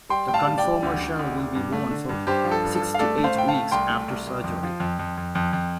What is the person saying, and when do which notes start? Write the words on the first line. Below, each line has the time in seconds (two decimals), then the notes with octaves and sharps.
The conformer shell will be worn for six to eight weeks after surgery.
0.09 G3 G5 C6
0.28 A2 G5
0.34 F5 A5
0.46 G3
0.58 D5 G5
0.64 G3
0.83 D2
1.01 D2
1.19 D2
1.37 D2
1.55 G2
1.72 A3
1.91 D3
2.09 G2
2.27 G2 G4 C5
2.45 F3
2.52 A4
2.64 G2
2.75 A4
2.81 G2
2.94 F5
2.99 A3 A4 D5
3.18 A3
3.24 C5 F5
3.35 A2 G5
3.48 F5 A5
3.54 A3
3.71 C2 G5 C6
3.89 A3
4.08 C2
4.27 C2
4.44 F2
4.63 F3
4.80 F2
4.99 F2
5.17 F2
5.35 F2
5.53 F2